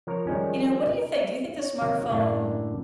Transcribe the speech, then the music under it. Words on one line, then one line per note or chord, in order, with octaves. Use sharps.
you know, what do you think? Do you think the smartphone
F3 A#4 C#5 A#5
D#3 F3 G3 G#3 C#4
D#4
C#5
C3 D#3 F#3
F#2 A2 D3 A#3 D4